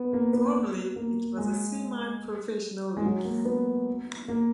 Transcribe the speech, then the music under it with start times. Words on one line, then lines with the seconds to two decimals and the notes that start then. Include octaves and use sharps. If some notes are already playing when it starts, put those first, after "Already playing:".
Formally, it was a semi-professional league.
Already playing: B3
0.13 A#3
0.33 B3
0.96 A#3
1.37 G#3
2.97 G#3
3.05 F#3
3.24 A#3
3.45 B3
4.28 A#3